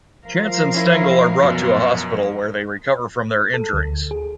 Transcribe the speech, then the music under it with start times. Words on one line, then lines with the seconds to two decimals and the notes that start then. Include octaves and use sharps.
Chance and Stengel are brought to a hospital, where they recover from their injuries.
0.25 F3 A#4 F5
0.74 C#4 E4
1.42 F#2 B2
3.54 A4
3.73 D2
4.11 G#4